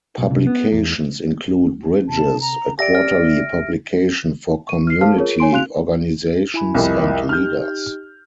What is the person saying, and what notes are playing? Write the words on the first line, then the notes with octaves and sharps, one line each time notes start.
Publications include "Bridges", a quarterly publication for community organizations and leaders.
B1
C2
B3
E2
C3 A5
A#5
G4 D5 E5 A#6 D7
F6
C#6 D#7
F6 C7
G4 A4 C5 F5 A5 F6
F4 G#4 A#4 C#5
C#5 G#5 C6 D7
F#4 F5 C6 F#6 F7
E4 G#5 B5
C2 F2 E4 A#4 D#5
D#4 G4 F6 G6